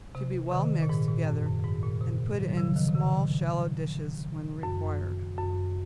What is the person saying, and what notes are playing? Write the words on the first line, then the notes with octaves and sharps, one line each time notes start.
To be well mixed together, and put in small, shallow dishes when required.
C3
C3 D#3
A#2
G#2
A#2
F#2
F#2
G#2
A#2
C3
D#3 F#3
F#3
C#3 F3
C3 D#3
C3
C#3
A#2
F#2
F#2